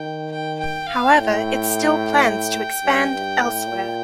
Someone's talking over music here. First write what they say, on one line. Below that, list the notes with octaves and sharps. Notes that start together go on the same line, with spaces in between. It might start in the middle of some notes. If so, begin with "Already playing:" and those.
However, it still plans to expand elsewhere.
Already playing: D#3 G5
G5
G5
F5
A2 G5
G2
G2
A2
A#2